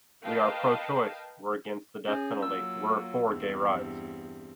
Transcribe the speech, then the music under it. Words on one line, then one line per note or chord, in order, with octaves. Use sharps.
We are pro-choice; we're against the death penalty; we're for gay rights.
A#4 B4 D#5 F5 G5 A5
C#4 G#4
F#3 A#3 F4 E6
E2 G2 C4